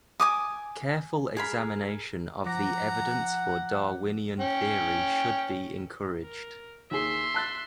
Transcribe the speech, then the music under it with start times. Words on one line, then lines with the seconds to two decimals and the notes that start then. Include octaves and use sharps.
Careful examination of the evidence for Darwinian theory should be encouraged.
0.20 G#5 D6 D#6
1.37 G#4 A#4 B5
2.46 F3 F#5 A#5 D6 A#6
4.40 C#4 G5
6.24 A#4
6.91 D#2 G#4 E5 C6
7.34 A5 F#6 A6